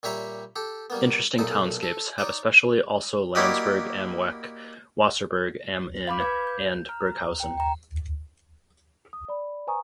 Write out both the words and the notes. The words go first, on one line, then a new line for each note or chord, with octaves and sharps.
Interesting townscapes have especially also Landsberg am Lech, Wasserburg am Inn and Burghausen.
A#2 G3 G4 C#5 E5 A#5
G4 A4
G3 A#3 B3
B1 A#2 D#4 A4 A5
A4
D#4 C#5 D5
A#3 E4 F#4 G4 D5 D#5
F5 B5 D6
B4 F5 D6 G6 G#6
G6
A#5 F6
G5 A#5
G5 A#5
D#6
D5 B5
B4 C5 G#5 A#5 C#6 D#6